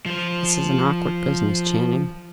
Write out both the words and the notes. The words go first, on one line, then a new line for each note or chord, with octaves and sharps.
"This is an awkward business, Channing."
F3 C5